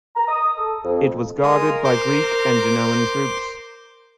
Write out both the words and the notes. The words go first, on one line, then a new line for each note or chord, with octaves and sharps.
It was guarded by Greek and Genoan troops.
A#5
D#6
A4
F2
G#3 F4 A#4 D#6
C5 C6 D6